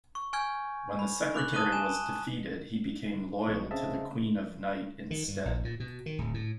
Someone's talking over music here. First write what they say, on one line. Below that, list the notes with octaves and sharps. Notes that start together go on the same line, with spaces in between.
When the secretary was defeated, he became loyal to the Queen of Night instead.
C#6
G#5 C#6 F6 G6 G#6
B5
B5 D6 F#6 F#7
A5 D#6 F#6 D#7 G7
G#5 E7
A#1 B2 G#3 C#6
C#3 C4 D#5 E5 A5
D#3
G2
A#1
A#2
B2
D#3
D1
A2